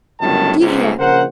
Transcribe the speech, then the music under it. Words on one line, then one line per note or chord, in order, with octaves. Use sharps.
Do you hear?
G1 C#2 F#2 A2 D#3 A5
G1 C#2 G#2
A#1 C#3 A#4 C5 F#5